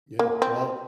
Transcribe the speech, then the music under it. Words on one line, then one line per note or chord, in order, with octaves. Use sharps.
Yeah, well,
A#3
C4